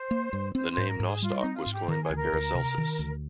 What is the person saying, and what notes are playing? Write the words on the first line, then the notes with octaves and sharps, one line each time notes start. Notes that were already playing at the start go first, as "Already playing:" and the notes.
The name "Nostoc" was coined by Paracelsus.
Already playing: C5
A#3
G2
C4 C5
C5
G#2
A#4
G#2
G#4
G3 F4
D#4
C4
F4
G#2
G4
D#3 A#4
G#4
D2 A#4
D2
C3
D#3
D2